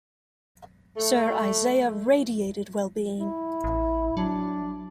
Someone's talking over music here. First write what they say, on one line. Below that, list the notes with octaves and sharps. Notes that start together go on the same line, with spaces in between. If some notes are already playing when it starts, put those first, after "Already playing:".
Sir Isaiah radiated well-being.
A3
E4
A1
F#3 D4